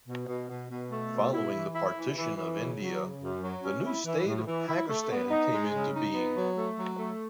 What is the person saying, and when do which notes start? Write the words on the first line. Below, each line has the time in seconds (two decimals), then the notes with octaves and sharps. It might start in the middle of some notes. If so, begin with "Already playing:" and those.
Following the partition of India, the new state of Pakistan came into being.
0.08 B2
0.27 B2
0.49 B2
0.70 B2
0.91 A3
1.11 B2
1.33 E4
1.54 E3
1.75 E4
1.96 E3
2.17 E3
2.37 E3
2.59 C#3
2.80 F#3
3.00 C#3
3.22 F#2
3.42 F#3
3.64 C#4
3.84 E4
4.05 E3
4.26 A2
4.47 E3
4.68 E4
4.89 A3
5.10 B3
5.31 D#4
5.52 G#3
5.73 C#3
5.94 D#4
6.14 B3
6.36 F#3
6.57 A3
6.78 F#3
6.98 A3